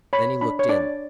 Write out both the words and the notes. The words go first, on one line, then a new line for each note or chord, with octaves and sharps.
Then he looked in.
C#5 B5
D4 B5
C#5
D4 D5